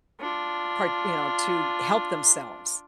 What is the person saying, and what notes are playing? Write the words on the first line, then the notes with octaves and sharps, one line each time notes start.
part you know, to help themselves.
D4 F4